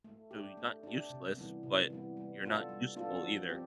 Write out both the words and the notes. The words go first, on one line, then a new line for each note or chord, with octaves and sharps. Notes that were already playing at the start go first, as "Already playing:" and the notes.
so, you're not useless, but you're not useful either."
A3
D4 G4
A3
D4 G4
C3
E3 G3 B3
C3
E3 G3 B3
G3
B3 D4 F4 A4
G3
B3 D4 F4 A4
F3
C4 G4